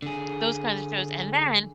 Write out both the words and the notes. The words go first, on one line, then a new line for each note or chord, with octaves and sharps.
those kinds of shows, and then
D3 G#4